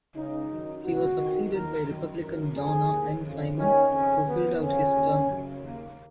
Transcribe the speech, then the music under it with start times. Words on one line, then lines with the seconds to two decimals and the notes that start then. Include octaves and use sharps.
He was succeeded by Republican Donna M. Simon, who filled out his term.
0.15 C#2 C#3 D#4
0.50 F#2 D#3
0.84 C#2 B2 F#4
1.19 F2 D#3
1.53 D#2 D#3 A#4
1.87 F#2 D#3
2.21 F#2 D#3 A#4
2.55 F2 C#3 G#4
2.90 D#2 D#3
3.24 F2 C#3
3.57 D#2 D#3 C#4
3.92 F2 C#3 C#4
4.26 D#2 D#3 B3
4.60 F2 C#3 C#4
4.95 D#2 D#3
5.29 F#2 C#3
5.63 D#2 C#3 A#3